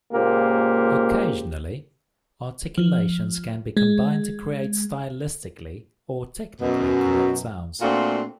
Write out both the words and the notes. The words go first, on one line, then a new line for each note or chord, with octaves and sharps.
Occasionally, articulations can be combined to create stylistically or technically correct sounds.
C#2 A#2 A#3 G4 C5
F3
G#3
F#2 B2
A#2 A3 C4 D4 F4 F#4